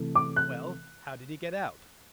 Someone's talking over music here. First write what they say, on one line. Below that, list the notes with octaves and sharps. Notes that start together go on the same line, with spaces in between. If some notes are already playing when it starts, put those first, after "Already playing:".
"Well, how did he get out?"
Already playing: C3 E3 A3
D6
F#6